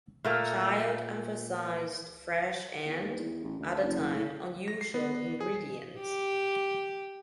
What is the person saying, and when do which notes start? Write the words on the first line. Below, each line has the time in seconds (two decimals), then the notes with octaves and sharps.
Child emphasized fresh and, at the time, unusual ingredients.
0.24 A#2 A3 A#3
2.85 E2
2.99 D#2
3.19 E2
3.44 A1
3.60 D2
3.83 F#1
4.14 A2
4.68 A#6
4.81 C7
4.94 B3
5.41 G#4
6.00 G4